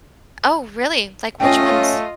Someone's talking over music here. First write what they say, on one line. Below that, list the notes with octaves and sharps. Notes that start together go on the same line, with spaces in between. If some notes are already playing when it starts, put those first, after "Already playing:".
Oh, really? Like, which ones?
A3 C#4 F4 D#5 G5